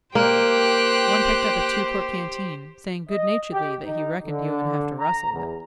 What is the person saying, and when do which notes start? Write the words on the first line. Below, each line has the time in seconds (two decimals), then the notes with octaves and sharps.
One picked up a two-quart canteen, saying good-naturedly that he reckoned he would have to rustle it.
0.15 A#3 G4 C5 G5 F#6
3.09 D#5
3.53 G4
3.85 D#4
4.25 D3
4.99 A#5
5.32 E2